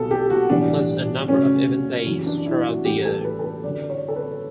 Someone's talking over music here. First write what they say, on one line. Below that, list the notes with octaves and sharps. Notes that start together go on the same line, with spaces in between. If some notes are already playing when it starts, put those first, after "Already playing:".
Plus a number of event days throughout the year.
Already playing: B1 B2 G3 B3 A4
G4
F#4
B1 A2 E3 G3 D4
F#2 C#3 F#3 A3 C#4
F#2 E3 G3
D4
E4
F#4
A1 G2 F#3 A3 G4
A4
B4
A4
B4
F#2 D3 F#3 D5
C#5
A4
B4